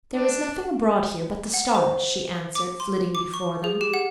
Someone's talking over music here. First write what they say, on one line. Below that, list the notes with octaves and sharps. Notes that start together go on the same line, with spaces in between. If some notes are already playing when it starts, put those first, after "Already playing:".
"There is nothing abroad here but the stars," she answered, flitting before them.
D4
F#5
C5
D6
C6
D6
C#6
G#4
G4
F#5